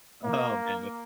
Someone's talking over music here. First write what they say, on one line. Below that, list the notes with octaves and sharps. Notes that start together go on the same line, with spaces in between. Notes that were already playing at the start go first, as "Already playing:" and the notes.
Oh, man.
A#3